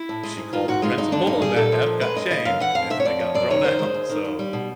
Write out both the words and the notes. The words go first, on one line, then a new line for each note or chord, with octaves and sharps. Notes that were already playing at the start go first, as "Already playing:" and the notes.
she called the principal, and that F got changed, and then it got thrown out so,
Already playing: E4
A2
G#3
G#2
D#3 F4
G#2 F#4
G#3 F4
G2 D#4
D3 D4
G2 D#4
G3 G#4
A#2 A4
F3
A#2
G#3 B4
F#2 D#5
C#3 D#5
F#2 F5
E3 F#5
F2 F5
C3 E5
C#5
F2 D5
F3 C#5
F#2 D5
D#3 C#5
F#2 C5
G#3
D#2
D#3
D#2
G3
B2